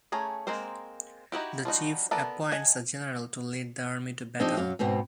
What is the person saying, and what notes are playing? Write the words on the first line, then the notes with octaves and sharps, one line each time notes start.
The chief appoints a general to lead the army to battle.
A3 C#4 G#4 A#5
G#3 A#3 C4 A#4 C5
D#4 E4 F#4 G4
F3 G3 D#4 F#4
B3 A4 A#4 D5 E5
D#5 F#5 G#5 A5
F3 C4 D4 D#4 G4 D#5
F#2 F#3 F5
G#2 B2 B3 C4